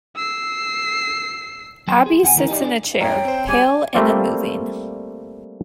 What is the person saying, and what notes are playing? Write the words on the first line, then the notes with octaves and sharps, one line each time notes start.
Abbie sits in a chair, pale and unmoving.
E6 C7
F#3 B3 G5 A5 C6
G#4
F2 F#5 G#5
D2 E3 A#4
D#4 G4 G#4 D5
D4 F4 G#4 D5
F#2 A2 C#5 G5 A#5
C4 C5
G3 G4 G#4 G#5 D6
G3 A3 A#3 C4 F4 D5